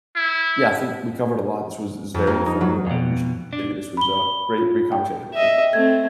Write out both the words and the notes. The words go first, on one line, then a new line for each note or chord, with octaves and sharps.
yeah, I think we covered a lot, this was this was very informative, I appreciate it. This was a great great conversation with you.
E4
F2
A#3
D#4
F#3
F2 B2
D4
B5 G7
F4
G5
D#5 E5
A3 C4 G#6